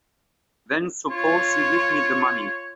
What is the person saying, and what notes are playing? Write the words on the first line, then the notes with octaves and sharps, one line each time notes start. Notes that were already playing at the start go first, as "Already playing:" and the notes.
Then suppose you give me the money.
F4 C#5